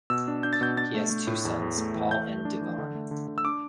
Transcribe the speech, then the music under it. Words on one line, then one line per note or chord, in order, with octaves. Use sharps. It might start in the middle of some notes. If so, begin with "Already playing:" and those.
He has two sons, Paul and Devon.
B2 E6
D4
D4 G6
A6
B2 G6
D4 A6
A3
A3
A2
E2
E2
A3
E3
A3 G6
A3
D4
E3
D3
A3
D3
D3
E6
D4 D6